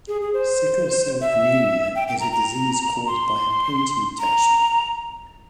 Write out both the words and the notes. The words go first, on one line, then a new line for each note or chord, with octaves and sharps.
Sickle Cell anemia is a disease caused by a point mutation.
G#4
G#4
C5
E5
G5
G5
A#5
A#5
C6
A#5